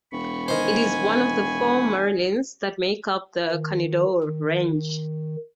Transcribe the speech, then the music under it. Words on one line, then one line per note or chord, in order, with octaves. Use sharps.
It is one of the four Marilyns that make up the Carneddau range.
E1 B5 C#6
D#3 C5 G#5
D#3
D#3